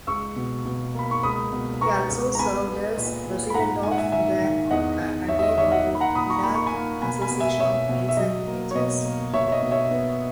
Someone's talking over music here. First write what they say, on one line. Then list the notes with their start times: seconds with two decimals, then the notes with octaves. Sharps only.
He also served as president of the Adirondack Association of Towns and Villages.
0.07 C#2 C#6 E6
0.36 B2
0.66 B2
0.95 A#3 B5
1.11 C#6
1.23 C#2 B5 D#6
1.52 B2
1.81 B3 A#5 C#6
2.10 C#2
2.35 A#5
2.39 B3 G#5 B5
2.68 B3
2.97 A#2
3.26 A#2
3.50 B5
3.54 G#2 F#5 A#5
3.83 G#2 G#5
3.91 F#5
3.98 E5 G#5
4.12 D#3 E5 G#5
4.41 D#3
4.71 E2 D#5 F#5
4.99 E2
5.28 E2 C#5 E5
5.39 E5
5.43 D#5
5.57 D#3 C#5 E5
5.72 D#5 F#5
5.86 A#3
5.95 B5
6.00 F#5 A#5
6.15 A#2 B5 D#6
6.30 A#5 C#6
6.44 A#3 B5
6.55 C#6
6.66 G#5 B5
6.74 A#3
7.02 B2 G#5 B5
7.22 G#5 B5
7.31 B2
7.40 E5 G#5
7.59 B2 C#5 E5
7.89 B2
8.09 E5
8.17 F#3 D#5
8.47 A#3
8.71 C#5
8.75 B2 D#5
9.05 A#3
9.34 B2 C#5 E5
9.48 C#5
9.52 D#5
9.62 B2
9.71 C#5 E5
9.91 B3